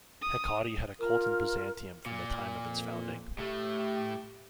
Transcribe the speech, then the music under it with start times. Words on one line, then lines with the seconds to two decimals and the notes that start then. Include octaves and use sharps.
Hecate had a cult in Byzantium from the time of its founding.
0.22 D#6
1.00 F4 A#4
2.06 A#2
2.63 F2
3.39 A2 A3 G4